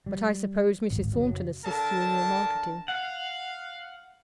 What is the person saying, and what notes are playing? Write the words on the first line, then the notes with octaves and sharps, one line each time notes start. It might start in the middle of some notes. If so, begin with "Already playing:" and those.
But I suppose Mrs. Thornton assists you in your marketing.'
G3
D1 G#1
F#1 F#3
D3 A#4 A5
F5 F#5